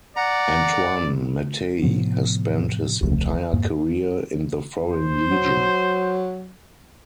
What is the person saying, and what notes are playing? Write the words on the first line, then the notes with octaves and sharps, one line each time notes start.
Antoine Mattei has spent his entire career in the Foreign Legion.
D5 F#5 A#5
A2 C3 F3 B3
D#1 C2 F3 A3
F2 G#2 A#3
C5
F#3